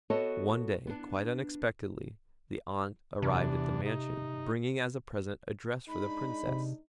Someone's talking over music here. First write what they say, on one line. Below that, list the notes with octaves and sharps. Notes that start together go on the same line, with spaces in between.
One day, quite unexpectedly, the aunt arrived at the mansion, bringing as a present a dress for the Princess.
B3 F#4 A4 C#5 D#5 A5
B3 D4
E2 C3 D4
D#4
G#3 D4 D#4 B5
C3